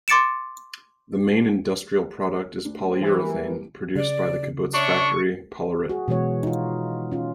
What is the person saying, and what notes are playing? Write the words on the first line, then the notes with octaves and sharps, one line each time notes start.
The main industrial product is polyurethane, produced by the kibbutz factory, Polyrit.
C6 D6 A6 C#7 D7 E7
D2 D4
C4
E3
G3 G#3 A#3 A#4
C#3 D5
D4 C#5 E5 C#6
F#4 G#4
B2 E3 G#3 F#4 C#5
D#4 F4
C#4 F4